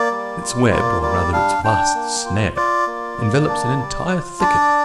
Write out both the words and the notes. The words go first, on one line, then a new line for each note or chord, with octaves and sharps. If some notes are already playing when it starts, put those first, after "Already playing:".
Its web, or rather its vast snare, envelops an entire thicket.
Already playing: A#3 D5
G3
F4
A#3 D5
G3 D5
D4 F5
D4 G5
A#3
F4
F4 D5
A#3
A#3
D4
G3
F4
D4 D5